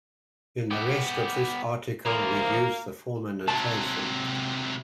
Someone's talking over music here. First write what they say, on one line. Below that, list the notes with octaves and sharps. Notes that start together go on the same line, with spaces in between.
In the rest of this article we use the former notation.
B3 G4
E3 F3 A#3
C3 F#3 A5